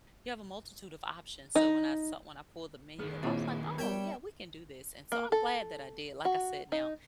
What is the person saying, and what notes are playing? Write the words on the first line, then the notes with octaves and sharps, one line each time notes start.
you have a multitude of options." So when I saw when I pulled the menu up, I was like, "Oh, yeah. We can do this," and so I'm glad that I did. Like I said now,
D#4
D#3 B3 G#4
A#1 C4 E4 C#5
G3 B3 A#4 C#5 E5 G5
A#3
A4
F#4
D#4